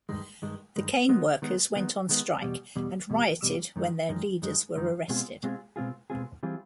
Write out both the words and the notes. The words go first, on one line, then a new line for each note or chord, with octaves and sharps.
The cane workers went on strike and rioted when their leaders were arrested.
G2 D#3 G#3
G2 D#3 G#3
G2 D#3 G#3
D#3 G#3 B3
D#3 G#3 B3
D#3 G#3 B3
D#3 G#3 B3
E2 B2 G3
E2 B2 G3
E2 B2 G3
E2 B2 G3
F#2 D#3 G#3
F#2 D#3 G#3
F#2 D#3 G#3
F#2 D#3 G#3
B2 G#3 C4 F4 G#4
B2 G#3 C4 F4 G#4
B2 G#3 C4 F4 G#4
B2 G#3 C4 F4 G#4
E3 G3 C4 F4 G#4